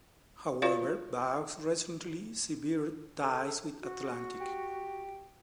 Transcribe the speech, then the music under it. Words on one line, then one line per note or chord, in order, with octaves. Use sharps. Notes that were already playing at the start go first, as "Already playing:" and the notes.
However, Vaux recently severed ties with Atlantic.
F4 F#4 B4 C#5 D5 F5
A4
F#4
G4